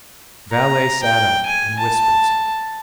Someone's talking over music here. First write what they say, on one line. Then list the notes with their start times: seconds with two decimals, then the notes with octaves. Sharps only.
The valet sat up and whispered something.
0.52 A#5
1.03 G5
1.46 G#5
1.79 A5